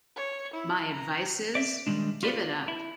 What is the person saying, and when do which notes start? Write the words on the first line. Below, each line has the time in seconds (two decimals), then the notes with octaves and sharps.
My advice is—give it up!
0.16 C#5
0.54 E4
0.93 A#5
1.55 D5 E5
1.87 D#3 G3 G#3 D4
2.23 F4 G4 B4 D5 E5 F5
2.68 E4